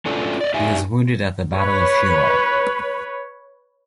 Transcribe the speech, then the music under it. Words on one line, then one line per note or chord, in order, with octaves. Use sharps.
He was wounded at the Battle of Shiloh.
A3 C#4 D4 F4 F#4 A4
D5 D#5
D#4 G4 D5 E5 F5 G#5
B4 C#5